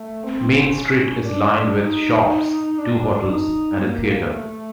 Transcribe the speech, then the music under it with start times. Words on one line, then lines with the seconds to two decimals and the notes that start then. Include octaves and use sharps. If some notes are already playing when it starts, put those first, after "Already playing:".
Main Street is lined with shops, two hotels and a theatre.
Already playing: A3
0.23 C4
0.74 C#4
1.25 D4
1.76 D#4
2.26 D#4
2.78 D4
3.29 D#4
3.80 A#3
4.30 A3